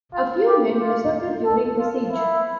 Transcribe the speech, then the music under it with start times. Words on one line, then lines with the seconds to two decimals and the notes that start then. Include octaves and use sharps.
A few men deserted during the siege.
0.14 F4
0.47 G4
0.79 F4
1.45 A4
1.78 F4
2.11 E4